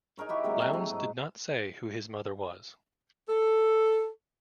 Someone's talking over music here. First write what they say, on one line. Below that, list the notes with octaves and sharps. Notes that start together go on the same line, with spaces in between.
Lowndes did not say who his mother was.
D#4 G#4 A#4 C#5
E4 F#4 G4
C3 F#3 G#3 A#3
C3 F#3 A4
F#3
G#2
A4